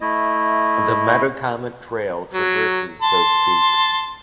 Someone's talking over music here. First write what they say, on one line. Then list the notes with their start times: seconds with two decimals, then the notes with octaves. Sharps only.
The Metacomet Trail traverses those peaks.
0.01 A3 E4 D#5
2.34 F#3
3.02 A5 C6